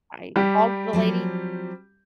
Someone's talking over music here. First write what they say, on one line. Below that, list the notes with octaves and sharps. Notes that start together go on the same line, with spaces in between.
I called the lady
G3 G4
F3 F#3 C4